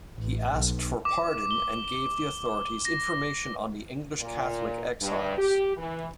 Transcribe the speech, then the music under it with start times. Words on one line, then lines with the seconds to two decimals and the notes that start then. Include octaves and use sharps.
He asked for pardon and gave the authorities information on the English Catholic exiles.
0.17 A1
0.54 B1
1.05 D6
1.51 G7
2.85 A#6
4.20 A#2
5.01 G2
5.38 G4
5.76 E3